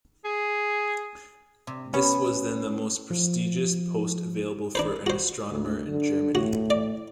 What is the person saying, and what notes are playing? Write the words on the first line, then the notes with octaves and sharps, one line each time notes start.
This was then the most prestigious post available for an astronomer in Germany.
G#4
C3
B3 C#4
F3
D4 B4 C5
F#4 C5
D2
D3
A2 F#4
D5